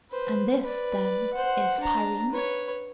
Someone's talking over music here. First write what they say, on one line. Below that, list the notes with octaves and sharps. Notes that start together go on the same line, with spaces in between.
And this, then, is Pirene?
B4 C5
B4 D5
C5 F#5
D4 A#5
B4 C#5